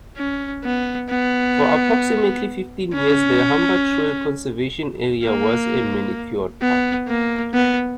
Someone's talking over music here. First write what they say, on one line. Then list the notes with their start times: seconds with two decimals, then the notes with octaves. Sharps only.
For approximately fifteen years the Humber Trails Conservation Area was a manicured Park.
0.17 C#4
0.64 B3
1.10 B3
2.94 C#4
5.24 A#3
6.61 B3
7.08 A#3
7.54 B3